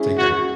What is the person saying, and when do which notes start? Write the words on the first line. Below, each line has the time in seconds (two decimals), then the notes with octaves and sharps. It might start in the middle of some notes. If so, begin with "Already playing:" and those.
Take care.
Already playing: G#3 C#4 E4 G#4
0.18 F#4